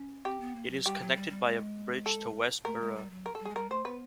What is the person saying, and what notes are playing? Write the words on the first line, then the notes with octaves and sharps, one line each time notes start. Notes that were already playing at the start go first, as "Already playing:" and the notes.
It is connected by a bridge to West Burra.
Already playing: C#4
C4 G4
B3
A#3
F#3
G3 G4
F#3
G3
G3
G#3
A4
A3 A#4
G#3
G3
F#3
A#4
A4
G3
G#4
G#3
G3 A#4
A3 C5
B3 B4